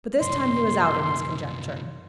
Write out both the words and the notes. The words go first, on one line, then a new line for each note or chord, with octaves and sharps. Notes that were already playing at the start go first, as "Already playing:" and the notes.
But this time he was out in his conjecture.
C2 F#2 C6